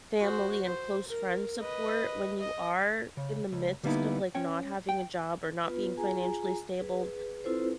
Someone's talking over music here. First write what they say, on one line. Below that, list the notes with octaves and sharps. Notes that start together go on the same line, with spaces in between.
family and close friend support when you are in the midst of, like, not having a job or not being financially stable,
F#4 C5
C5
A#4
B4 D#5
D#5
C#3
C#2
D3 G3 A#3 B3 D#4 E4
C#4 C#5 G5
G5
B3 F4 B4
F4 G#4 G#5 A#5
G#4 B4
C4 E4 F4 A4 B4 C5